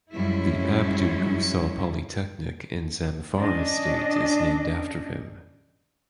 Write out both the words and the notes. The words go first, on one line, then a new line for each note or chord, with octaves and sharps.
The Abdu Gusau Polytechnic in Zamfara state is named after him.
F#2 F3 G3 G#3 C#4 E4
C#4 D4 D#5